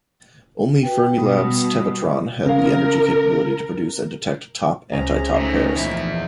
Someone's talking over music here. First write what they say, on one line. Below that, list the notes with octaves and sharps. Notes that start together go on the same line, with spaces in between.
Only Fermilab's Tevatron had the energy capability to produce and detect top anti-top pairs.
F#4 B4 G5
B2 G3 B3 D#6
C#3 A#4 F5
C#2 C3 C#4 G#4 A#5
C#3 A3 D#4
E2 A#2 F3 E4